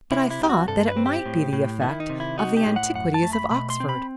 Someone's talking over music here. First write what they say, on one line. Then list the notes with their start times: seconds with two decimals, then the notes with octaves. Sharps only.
But I thought that it might be the effect of the antiquities of Oxford.'
0.12 C3 E4
0.31 E4
0.40 C2 G4
0.49 F#4
0.68 G2 A4
0.87 B4
0.97 C4
1.06 G4
1.26 A2
1.53 A2
1.81 D#3 E4
2.00 D#4
2.10 C3
2.20 E4
2.38 D#4 F#4
2.57 G4
2.66 A2
2.76 F#5
2.94 F#2 F#5
3.14 A5
3.23 A3
3.33 B5
3.51 B2 B5
3.70 C6
3.80 C4
3.89 B5